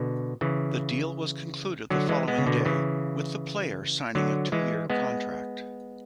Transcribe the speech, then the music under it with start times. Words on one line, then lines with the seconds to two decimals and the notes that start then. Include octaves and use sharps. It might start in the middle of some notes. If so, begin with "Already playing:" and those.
The deal was concluded the following day, with the player signing a two-year contract.
Already playing: B2 D3
0.41 C#3 E3
1.90 D3 F#3
2.09 E3 G#3
2.28 G#3 B3
2.38 C#3
2.46 B2 D3
2.65 C#3 E3
4.15 D3 F#3
4.52 E3 G#3
4.90 G#3 B3